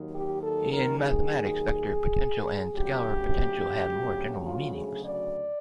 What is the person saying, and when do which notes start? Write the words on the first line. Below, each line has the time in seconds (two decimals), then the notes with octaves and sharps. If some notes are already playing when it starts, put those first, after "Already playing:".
In mathematics, vector potential and scalar potential have more general meanings.
Already playing: D#2 D#3 F#3
0.14 G4
0.43 A4
0.72 A#4
1.00 G#4
2.73 D2 C#3 F#3 G4
4.46 F4
4.75 G#4
5.04 D5